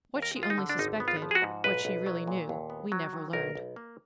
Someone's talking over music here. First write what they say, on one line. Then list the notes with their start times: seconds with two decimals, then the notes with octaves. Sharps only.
What she only suspected, what she really knew, we never learned.
0.15 D#2
0.22 A#4
0.36 G#3
0.43 F4
0.50 D#4
0.58 D3
0.69 D4
0.79 G#1 D#4
1.00 B3
1.08 F4
1.22 F3
1.31 G#4
1.35 F#4
1.42 G#2
1.64 B1 B4
1.85 B1
2.06 F#3
2.27 A#2
2.49 D#2
2.70 B3
2.92 F#3
3.13 D#3
3.33 B1 A#4
3.55 B1
3.76 A#3